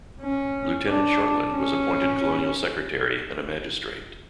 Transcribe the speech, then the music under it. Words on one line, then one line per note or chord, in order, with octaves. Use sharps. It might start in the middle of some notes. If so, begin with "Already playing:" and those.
Lieutenant Shortland was appointed colonial secretary and a magistrate.
C#4
D4
C#4